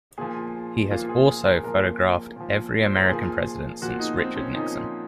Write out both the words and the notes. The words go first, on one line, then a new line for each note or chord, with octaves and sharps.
He has also photographed every American president since Richard Nixon.
A#2 F3 G#4
A#2 F3 F4
G#4
G#4
A#4
A#2 F3 A#4
A#2 F3
C5
A#4
A#2 F3 G#4
A#2 F3 F#4
D#4
C4
C#4
A#2 F3 D#4